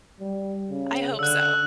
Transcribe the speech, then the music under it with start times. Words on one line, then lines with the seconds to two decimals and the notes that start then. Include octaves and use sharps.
I hope so.
0.20 G3
0.70 C#3
1.19 D3 E6 F#6